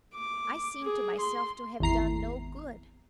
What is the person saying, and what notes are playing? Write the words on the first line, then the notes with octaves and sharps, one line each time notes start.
I seemed to myself to have done no good.
D6
G#4
C6
G#1 E2 A#5 C7